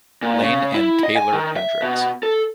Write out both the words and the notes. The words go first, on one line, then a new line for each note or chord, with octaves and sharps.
Lane and Taeler Hendrix.
A#2
C#3
E4
D#5
G#5
D#3
E5
B2
A4